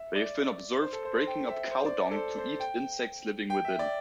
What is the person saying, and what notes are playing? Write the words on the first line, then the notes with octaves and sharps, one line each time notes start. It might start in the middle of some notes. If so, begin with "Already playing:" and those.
They have been observed breaking up cow dung to eat insects living within.
Already playing: E5
D5
C5
A4
C5
C5
G5
E5
C5
D5
A4
C5
C5
G5
G5
E5
D5